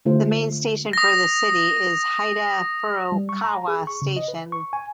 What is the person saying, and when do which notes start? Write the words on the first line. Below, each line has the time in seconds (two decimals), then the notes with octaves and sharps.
The main station for the city is Hida-Furukawa Station.
0.05 D3 A3 F4 C5
0.93 D#6 A#6
3.12 G3
3.29 C#6
3.44 A#5
3.68 G#4
3.87 C#6
4.02 C#3
4.17 D#5
4.28 B4
4.52 C#6
4.73 G#5